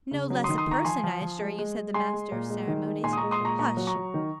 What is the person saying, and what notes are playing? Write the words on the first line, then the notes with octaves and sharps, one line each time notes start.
'No less a person, I assure you,' said the Master of the Ceremonies. 'Hush.
C#3
F#3
D#3 C6 D#6
C6 D#6
D#3 A#5 C#6
C#6
F3 G#5 C6
F3
F3
G#3
G#3
G#3
G#3 G#5 C6
G#3
A#2
G#3
D#3
G#3
A#2 G#5 C6
D#6
A#5 C#6
G#3
C6 D#6
A#2 A#5 C#6
A#2 A#5 C#6
F#3
A#5 C#6
F#3
D#3